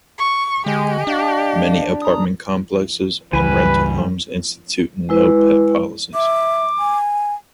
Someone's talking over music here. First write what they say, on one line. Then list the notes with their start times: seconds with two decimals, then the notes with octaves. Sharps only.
Many apartment complexes and rental homes institute no pet policies.
0.18 C#6
0.66 D3 G#3 G4 D#5 G#5
1.07 D4 D#5 F5
2.02 A#5 D#6
3.33 C#2 G2 E3 G3 B4 G#5 B5
5.09 G#3 E4 B4
6.14 E5 D6
6.79 G#5